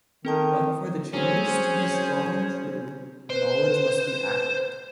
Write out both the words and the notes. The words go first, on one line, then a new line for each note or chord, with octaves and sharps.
But for the changes to be strong and true, the knowledge must be accurate.
D#3 C4 A4 A5
F#3 C4 C#4 G#4 C5 C#5
B4 C5